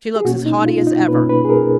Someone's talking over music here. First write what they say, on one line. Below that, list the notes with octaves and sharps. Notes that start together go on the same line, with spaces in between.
She looks as haughty as ever.
G#4
B2 A#3 C#4 F#4
D#4
F4
D#4
B2 A#3 C#4 B4
B4
G#4
A#4